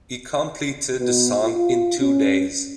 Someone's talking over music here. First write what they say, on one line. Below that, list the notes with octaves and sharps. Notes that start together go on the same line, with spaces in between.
He completed the song in two days.
B2
F4
C#4